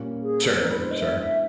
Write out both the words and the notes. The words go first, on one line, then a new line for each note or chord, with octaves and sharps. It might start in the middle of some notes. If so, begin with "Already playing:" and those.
Sure, sure.
Already playing: A#2 G3 A#3 C#4
G#4
A4
E3 G#3 B3 D4 A#4
B4
C5
D#5
E5
E5